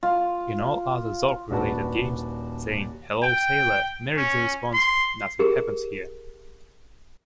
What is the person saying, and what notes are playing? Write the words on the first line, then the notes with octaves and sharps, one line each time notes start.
In all other "Zork"-related games, saying "Hello, sailor" merits the response "Nothing happens here".
F4
D#1 D4 F#4 B4 A5
G5
C#4
C6
G4 G#4 A#4